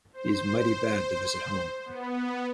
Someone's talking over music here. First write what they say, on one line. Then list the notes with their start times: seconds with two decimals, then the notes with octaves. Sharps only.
He's mighty bad to visit home.
0.13 C5
1.86 B3